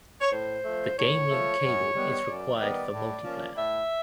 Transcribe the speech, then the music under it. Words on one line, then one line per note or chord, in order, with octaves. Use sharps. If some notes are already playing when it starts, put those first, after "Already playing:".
The Game Link Cable is required for multiplayer.
C#5
A2 C5
F3 A3
A2 C#5
F3 A3
F#2
D#3 G3 B3
F#2 D5
D#3 G3 B3
A2
F3 A#3 C#4
A2 E5